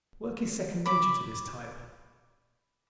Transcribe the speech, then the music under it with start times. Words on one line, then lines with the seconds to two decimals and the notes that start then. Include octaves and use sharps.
Work is second nature to this type.
0.86 B5 D6